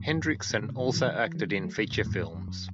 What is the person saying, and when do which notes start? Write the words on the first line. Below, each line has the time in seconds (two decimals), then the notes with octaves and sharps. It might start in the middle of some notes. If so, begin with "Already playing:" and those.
Hendrickson also acted in feature films.
Already playing: F#2 A2
0.50 G#2 B2
0.60 A2 C#3
0.69 G#2 B2
0.78 C#3 E3
0.93 D#3 F#3
1.07 C#3 E3
1.27 E3
1.35 D#3 F#3
1.64 F#3 A3
1.78 A2 C#3
1.92 E2 G#2
2.06 F#2 A2
2.20 E2 G#2
2.34 F#2
2.48 F#2